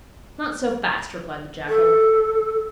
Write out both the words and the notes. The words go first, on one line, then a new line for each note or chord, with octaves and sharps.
'Not so fast,' replied the jackal.
A4